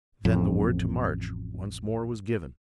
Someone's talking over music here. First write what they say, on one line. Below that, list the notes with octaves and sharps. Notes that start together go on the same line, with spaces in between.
Then the word to march once more was given.
A1 F2